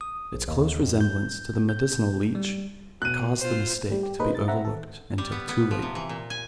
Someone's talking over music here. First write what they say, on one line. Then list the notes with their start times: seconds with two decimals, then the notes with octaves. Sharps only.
Its close resemblance to the medicinal leech caused the mistake to be overlooked until too late.
0.01 D#6
0.34 A#1
0.48 D#2
0.82 F2
1.01 G6
1.69 G6
2.35 G3
3.02 B2 F#6 D#7
3.39 F4 C5
3.89 G3 A3
4.03 G4
4.19 A#3 D#4 G#4 B4 C5
4.35 E4 A6
4.48 C4 E5 F#5 A#5
4.65 D#3 A4
5.18 G3
5.32 B3
5.49 B3
5.71 F3
5.82 C3
5.95 E3
6.09 A#2
6.30 G#5